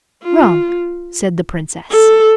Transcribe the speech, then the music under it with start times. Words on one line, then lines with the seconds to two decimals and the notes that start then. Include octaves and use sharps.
'Wrong,' said the Princess.
0.23 F4
1.90 A4